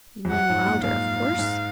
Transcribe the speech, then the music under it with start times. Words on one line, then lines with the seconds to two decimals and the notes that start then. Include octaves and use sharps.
You mean Wylder, of course?'
0.25 F2
0.31 F#2 F#5
0.50 G#2
0.66 A#2
0.84 G#2 F5
1.38 G#2